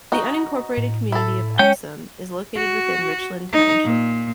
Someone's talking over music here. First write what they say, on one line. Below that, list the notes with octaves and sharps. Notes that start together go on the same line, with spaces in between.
The unincorporated community of Epsom is located within Richland Township.
D#4 F#4
A2
E4 A4
G#3 C#4 C#5 G5 G6
F#4
D#4
A#2